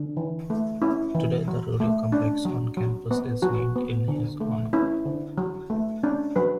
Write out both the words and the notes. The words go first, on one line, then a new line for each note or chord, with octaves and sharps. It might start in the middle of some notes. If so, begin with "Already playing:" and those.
Today, the rodeo complex on campus is named in his honor.
Already playing: D3
E3
A3
C#4 E4
E3
F#3
A3
C#4 D4
F#3
F#3
B3
F#3 F#4
B3
D3
A3
C#4 E4
D3
F#3
A3
C#4 D4
F#3 B4